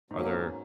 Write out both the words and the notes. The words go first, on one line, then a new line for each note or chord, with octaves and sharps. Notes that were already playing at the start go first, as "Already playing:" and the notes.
are there
G#2 B2 F#3 A#3 C#4